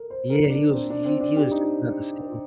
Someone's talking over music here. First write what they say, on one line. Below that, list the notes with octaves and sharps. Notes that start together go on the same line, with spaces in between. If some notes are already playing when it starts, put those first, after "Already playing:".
Yeah, he was he he was just not the same.
Already playing: A4 A#4
C5
A#4
D4
C4
D4
C4
D4
G4
D#4